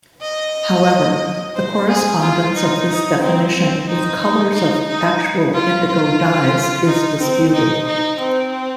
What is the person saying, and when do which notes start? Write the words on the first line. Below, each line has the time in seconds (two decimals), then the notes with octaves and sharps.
However, the correspondence of this definition with colors of actual indigo dyes is disputed.
0.21 D#5
1.55 C5
1.88 G#4
2.21 F4
2.54 D#4
2.88 D#4
3.21 C4
3.54 C4
3.88 D#4
4.20 D#4
4.53 D#4
4.87 D#4
5.53 F4
5.87 F4
6.86 D#4
7.20 C4
7.53 D#4
7.86 D#4
8.19 C4